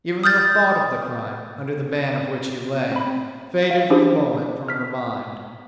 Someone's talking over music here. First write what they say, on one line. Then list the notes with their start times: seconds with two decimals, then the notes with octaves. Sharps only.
Even the thought of the crime, under the ban of which he lay, faded for the moment from her mind.
0.24 D#6 F6 G6 A6
2.92 C4 B5
3.71 F5
3.90 C#4 D4 E4 G4 G#4 C5
4.68 F6 B6